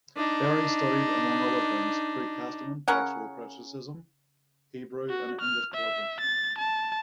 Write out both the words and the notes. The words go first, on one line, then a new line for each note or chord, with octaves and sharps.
There he studied, among other things, Greek testament textual criticism, Hebrew, and English poetry.
D4 D#4
C#3 C#4 A#4 F#5
F#4
F6
E5
A6
A5